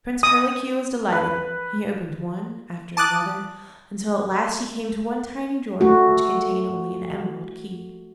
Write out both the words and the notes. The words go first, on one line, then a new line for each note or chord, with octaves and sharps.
Prince Curlicue was delighted; he opened one after another, until at last he came to one tiny drawer which contained only an emerald key.
D#6
B4
A5 D6 D#6 F#6 A6
A3 F#4